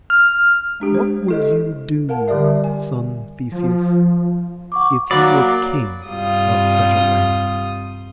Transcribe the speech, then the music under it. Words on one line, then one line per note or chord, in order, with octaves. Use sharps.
What would you do, son Theseus, if you were king of such a land?'
F6
G#3 D4 G4
C5
E4 A4 D#5
A#4 F5 F#5 A5
D3 G3 G4 A#4 D5 E5
G#5
F3
F#5 C#6 D6
F#3 A#3 D5 B5
G2 C3 G3 F4 D#6